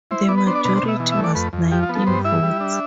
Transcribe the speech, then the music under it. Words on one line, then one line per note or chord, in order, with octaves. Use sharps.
The majority was nineteen votes.
E4 C5
B3 D5
B4
D4 C5
D5
B2 B4
C5
B2
E5
E3
E5
A3
D5
F2 B4
F2
F3 G4
F4
B3
A4
G2 C5
E4 E5
G3
D4